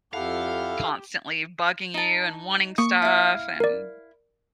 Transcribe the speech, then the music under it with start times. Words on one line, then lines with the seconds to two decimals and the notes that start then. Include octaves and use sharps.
constantly bugging you and wanting stuff and
0.13 F2 E4 G4 A4 F5 F#5
1.94 D#4 A5
2.78 A#3 C#6 D#6
3.02 E4 F5
3.60 A#4 D5